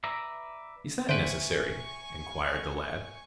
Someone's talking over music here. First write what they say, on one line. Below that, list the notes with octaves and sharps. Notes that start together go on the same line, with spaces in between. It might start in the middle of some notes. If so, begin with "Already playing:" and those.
"Is that necessary?" inquired the lad.
B4 D5 E5 A#5
D3 B4 C5 E5 G5 G#5 C#6